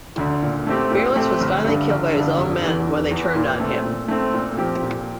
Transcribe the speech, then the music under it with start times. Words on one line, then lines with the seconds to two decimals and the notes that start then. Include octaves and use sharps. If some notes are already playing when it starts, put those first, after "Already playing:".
Fairless was finally killed by his own men when they turned on him.
0.17 D2 D3
0.43 A#2
0.67 A3 C4 G4
0.91 A#2
1.16 A3 C4 G4
1.40 G1
1.65 G2 D3
1.89 G1
2.14 G2 D3
2.37 F1
2.61 E2 E3
2.87 F1
3.11 E2 E3
3.35 A#2
3.60 A3 C4
3.84 A#2
4.08 A3 C4
4.33 A#2
4.58 F3 C4 G4
4.82 A#2